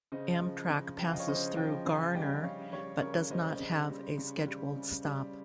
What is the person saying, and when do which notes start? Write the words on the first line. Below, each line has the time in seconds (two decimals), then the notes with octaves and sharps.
Amtrak passes through Garner but does not have a scheduled stop.
0.12 C#3 C5 D#5
0.40 F3
0.69 C#3
0.98 F3 G5
1.06 F5
1.13 D#5
1.19 C#5 F5
1.28 C#3 C5 D#5
1.56 F3 D#5 G5
1.85 C#3 F5 G#5
2.15 G3 D#5 G5
2.44 C#3 C#5 F5
2.73 G3 C#5 F5
3.01 C#3 A#4 C#5
3.30 G3 C5 D#5
3.59 C#3
3.89 G3
4.18 C#3
4.46 G3
4.76 C#3
5.05 G3